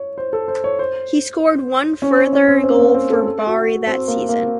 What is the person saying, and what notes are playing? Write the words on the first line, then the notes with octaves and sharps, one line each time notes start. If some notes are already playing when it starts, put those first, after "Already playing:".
He scored one further goal for Bari that season.
Already playing: C#5
C5
A4
C5
C#5
C5
C#4
C4
C#4
C4
C4
A#3
C4
A4
A4
F#4
C4
A#3
A#3